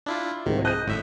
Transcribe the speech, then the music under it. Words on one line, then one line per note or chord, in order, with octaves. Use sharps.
It would've
D4 E4 F4
C2 G#2 D#3
D#5 F#6 G6 D#7
G#1 A2 E5